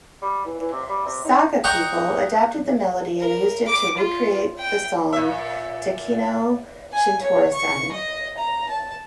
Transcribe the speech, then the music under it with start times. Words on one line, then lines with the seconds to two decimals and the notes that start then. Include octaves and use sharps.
Saga people adapted the melody and used it to recreate the song "Takeno Shintaro-san".
0.22 G3
0.45 E3
0.60 E3
0.72 C3
0.89 G3
1.05 C3
1.24 D#4
1.64 D#5 F#5 G5 A#5 C#6
3.20 A#4
3.67 D6
3.97 F4
4.58 G5
5.13 A#2 E5
6.92 G#5
7.21 C#5
7.53 C#6
7.92 D#5
8.38 A#5
8.69 A5